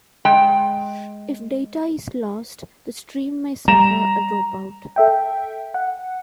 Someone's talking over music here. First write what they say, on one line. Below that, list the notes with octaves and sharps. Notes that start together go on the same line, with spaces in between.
If data is lost, the stream may suffer a dropout.
G#3 G5
G3 A#5 E7
A4 E5 G5
F#5